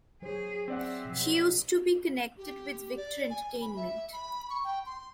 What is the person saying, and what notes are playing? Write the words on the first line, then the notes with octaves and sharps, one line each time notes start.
She used to be connected with Victor Entertainment.
F#3 G#4 C5 C#5
C4 G#4 D5 E5 F#5
B2 F3
G4
D5
G#5
B5
E5
B5
C#6
G5
C6